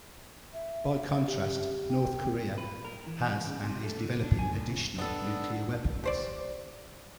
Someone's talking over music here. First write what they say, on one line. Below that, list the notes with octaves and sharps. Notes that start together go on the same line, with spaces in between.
By contrast, North Korea has and is developing additional nuclear weapons.
E5
E5
G4
G5
B4
A#4
E3
F2
C#3
C3
A3
D3
D4
G#5
A2
C#3
B3 D4 A4
G4 C5 D5